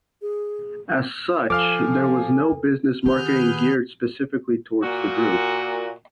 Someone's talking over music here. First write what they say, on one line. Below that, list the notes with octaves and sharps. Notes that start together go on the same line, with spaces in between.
As such, there was no business marketing geared specifically towards the group.
G#4
F3 A4 F5 G#5 D6 F6
D#3 B3 G4 G#4 B4 F6 G6
A#2 F#4